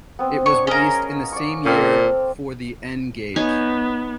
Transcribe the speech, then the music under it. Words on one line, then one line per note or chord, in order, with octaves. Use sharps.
It was released in the same year for the N-Gage.
B3 C4
D4 C#5 C#6
C#4 G#4 A#4 D#5 F5
D5 C#6
A#2 C4 A4 F5
B3 D#4 C#5 G#5